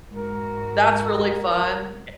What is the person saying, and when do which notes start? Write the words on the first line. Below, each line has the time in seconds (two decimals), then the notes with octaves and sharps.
that's really fun, eh
0.12 G#2 F#4 A#4